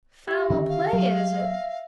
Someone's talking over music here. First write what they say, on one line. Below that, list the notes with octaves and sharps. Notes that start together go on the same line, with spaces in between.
Foul play, is it?
G4 E5
D3 D#3 C#4
F5
F#3
E5